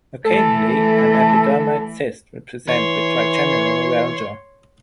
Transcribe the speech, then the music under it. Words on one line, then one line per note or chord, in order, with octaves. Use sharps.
Occasionally, an epidermoid cyst will present with Trigeminal neuralgia.
E3 A3 A4
E3 C#5 C6